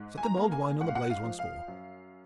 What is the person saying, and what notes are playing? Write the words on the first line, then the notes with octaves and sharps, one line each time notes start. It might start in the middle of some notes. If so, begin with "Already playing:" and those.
Set the mulled wine on the blaze once more!
Already playing: G#2
G#5
A#5
A#3
G#5
G#2 F#5
F5
F#5
F5
F3
F5
F#2